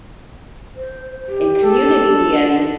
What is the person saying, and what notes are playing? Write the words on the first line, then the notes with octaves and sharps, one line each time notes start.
in community, and
C5
G4
A4
D4